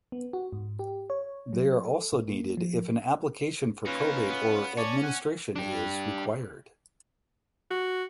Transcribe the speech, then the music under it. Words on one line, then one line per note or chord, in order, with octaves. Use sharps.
They are also needed if an application for probate or administration is required.
B3
F#4
G#2
G4
C#5
F#3
A4
A#2
A#3
F3
A#3 C#4 D#4 F4 B4
B3
C#4 C#5 D5 A5
F#5 G#5
D4 G4
F#4